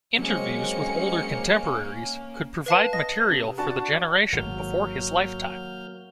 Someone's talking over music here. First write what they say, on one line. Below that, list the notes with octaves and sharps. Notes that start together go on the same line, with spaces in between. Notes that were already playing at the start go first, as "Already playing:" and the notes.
Interviews with older contemporaries could provide material for the generation before his lifetime.
F#3 G#3 A#3 C4 C#4 D#5 C#7
B4 F5 A5
D#5 A#6
C3
D4 F#4 A5
G#1 F#3 A#3 F6 G6